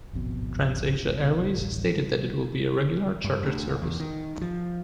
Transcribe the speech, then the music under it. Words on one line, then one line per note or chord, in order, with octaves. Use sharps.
TransAsia Airways stated that it will be a regular chartered service.
D1 G#1 F2 B2
F1 C2 B2
D1 A1 D#3 G3
G3
G2
D2
D1
E2
D#3
F3